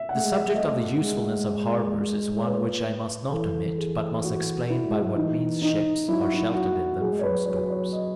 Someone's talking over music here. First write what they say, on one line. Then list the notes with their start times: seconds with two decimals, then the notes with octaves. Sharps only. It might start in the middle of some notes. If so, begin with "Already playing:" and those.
The subject of the usefulness of harbours is one which I must not omit, but must explain by what means ships are sheltered in them from storms.
Already playing: E5
0.09 F#5
0.15 A3
0.24 G#3
0.32 E5
0.50 G#3
0.55 A3 D#5
1.01 G#3
2.40 C#5
2.47 B4
2.53 C#5
3.32 E3 A4
3.78 G#4
4.23 F#4
4.70 E4
4.89 G#3
5.02 F#3
5.16 E3 D#4
5.62 D#4
6.08 F#3 E4
6.21 F#4
6.33 E4
6.54 F#4
7.01 F#3 G#4
7.13 G#3
7.19 C#5
7.23 F#3 B4
7.46 C#5
7.70 C#5
7.93 D#5